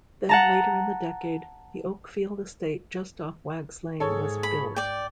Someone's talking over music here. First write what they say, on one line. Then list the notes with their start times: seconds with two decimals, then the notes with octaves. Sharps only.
Then later in the decade the Oakfield Estate just off Whaggs Lane was built.
0.29 F#5 A5 A#5
4.00 G#2 G#4 A4 C#5
4.43 B5
4.76 D5 G5